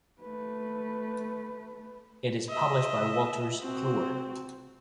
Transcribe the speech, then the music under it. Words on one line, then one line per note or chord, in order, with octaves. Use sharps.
It is published by Wolters Kluwer.
A3 B4
D#5 E5
C4 F#4